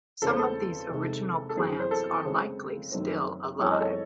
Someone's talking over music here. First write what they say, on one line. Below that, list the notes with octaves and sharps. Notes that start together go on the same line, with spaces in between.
Some of these original plants are likely still alive.
E2 C#3 G#3 C4 A4
C5
A4
C3 D#3 G#3
A4
F#2 E3 C4 G#4
C5
A4
C#3 G#3 C4
F#2 D#3 A3 C4
F#2 E3 G#3 C4 C#5
D#5
A4 C#5